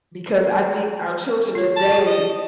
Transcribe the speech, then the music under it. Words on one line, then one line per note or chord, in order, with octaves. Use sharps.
Because I think our children, today,
F4 C#5
A5
G4 G#4 D5
D#5